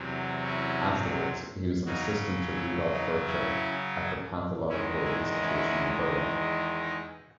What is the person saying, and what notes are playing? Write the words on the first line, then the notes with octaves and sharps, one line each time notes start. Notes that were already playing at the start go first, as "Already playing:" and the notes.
Afterwards, he was an assistant to Rudolf Virchow at the Pathological Institute in Berlin.
Already playing: E2 C3 F#3
C#4 E4
C#3 F#3 C#4 D#4 F#4
C#4 E4
D#4
C#4 E4
E2 D#3 G#3 C#4 E4
E4 G#4
C#4 E4
D#4